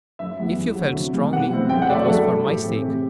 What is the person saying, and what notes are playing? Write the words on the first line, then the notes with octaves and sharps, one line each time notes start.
If you felt strongly, it was for my sake.
F#2 E5
E3 G3 B3 E4
E2
D3 F#3
C3
E3 G3
B2 F#5
G3 C4 E4
F#2 G5
F#5
F#3 A3 D5
E5
G2 A4
F#3 A3
A2 G4
E3 A3 C4
C3 G4